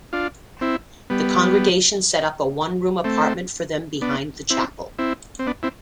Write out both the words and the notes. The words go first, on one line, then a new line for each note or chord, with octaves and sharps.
The congregation set up a one-room apartment for them behind the chapel.
D4 F4
C4 E4
G3 B3
A3 C4
B3 D4
C4 E4
C4 E4
C4
B3 D4
C4 E4